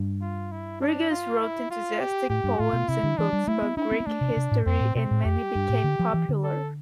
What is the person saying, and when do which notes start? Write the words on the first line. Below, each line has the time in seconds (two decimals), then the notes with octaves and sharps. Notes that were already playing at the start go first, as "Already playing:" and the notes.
Rigas wrote enthusiastic poems and books about Greek history and many became popular.
Already playing: G2
0.22 F4
0.52 E4
0.81 D4
1.11 F4
1.40 E4
1.71 F4
2.00 G4
2.30 A2 G4
2.44 G2
2.59 A2 F4
2.73 B2
2.88 C3 E4
3.03 D3
3.18 E3 D4
3.33 G3
3.48 A3 E4
3.62 B3
3.77 D4 E4
3.91 C4
4.00 B3
4.07 A3 D4
4.21 C3
4.37 C3
4.51 A2
4.66 F2 C4
4.80 A2
4.95 B2 C4
5.11 A2
5.25 F2 G4
5.55 G2
5.69 A2
5.84 D3
5.99 F3
6.14 E3
6.29 D3
6.43 A4